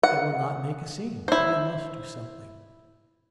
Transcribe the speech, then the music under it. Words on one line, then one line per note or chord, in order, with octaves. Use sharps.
'I will not make a scene, but I must do something....
F#5
E4 C5